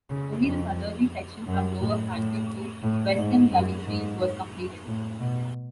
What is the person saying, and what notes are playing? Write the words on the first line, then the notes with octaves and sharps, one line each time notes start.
Only the southerly section from Lower Frankton to Weston Lullingfields was completed.
C#3
F2
F#2
A2
A2
A2
G#2
F#2
G#2
A2
B2